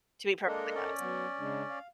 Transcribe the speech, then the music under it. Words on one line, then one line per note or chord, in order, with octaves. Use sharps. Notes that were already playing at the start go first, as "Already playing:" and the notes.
to be perfectly honest.
G#3 A#3 D4 A4 A#4 D#5
C#4 D5
F#3 B3 F#5
C#3 G#3 D4
F5